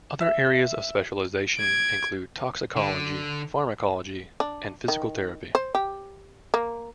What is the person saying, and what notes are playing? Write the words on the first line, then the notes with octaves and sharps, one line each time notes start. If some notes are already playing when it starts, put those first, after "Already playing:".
Other areas of specialization include toxicology, pharmacology, and physical therapy.
E5
G#6 D7
D3
D4
D#3
C5
G4
A#3